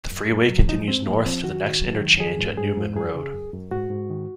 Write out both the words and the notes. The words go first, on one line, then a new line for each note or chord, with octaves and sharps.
The freeway continues north to the next interchange at Newman Road.
F#2
F#2
F#3
F3 D#4
G#2 C4
F3 A#3
F3 C4
D#3 F#4
D#3
F#3
D#3
F3 G#4
G#2
G#2 G#4
G#2
F#2 G#4
C#3
F#2
F#2
G#2 F#4
G#2
D#3